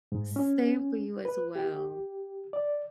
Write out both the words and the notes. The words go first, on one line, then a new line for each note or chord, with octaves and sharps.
Same for you as well.
G#2
C#4
B4
G4
D5